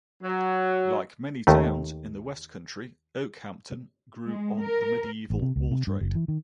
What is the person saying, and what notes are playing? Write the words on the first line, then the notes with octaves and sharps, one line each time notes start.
Like many towns in the West Country, Okehampton grew on the medieval wool trade.
F#3
D#2 D#3 A3
G#3
A#4
A1
C3
C#2
C3
G2
F#1
E3
D#3